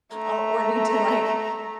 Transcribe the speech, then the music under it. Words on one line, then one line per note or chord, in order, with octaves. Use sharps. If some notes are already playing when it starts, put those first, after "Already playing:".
or need to, like,
A3 A#5